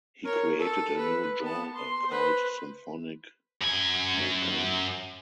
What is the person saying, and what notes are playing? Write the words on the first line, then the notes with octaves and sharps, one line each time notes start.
He created a new genre called symphonic mugam.
A#4 C#5
A4
B4
B3 A5
C6
B4 C5
F#2 G#5